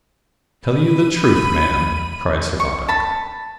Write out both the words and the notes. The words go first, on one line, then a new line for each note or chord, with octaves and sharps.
"Tell you the truth, man!" cried Servadac.
B5 D#7
C#6
A5 B5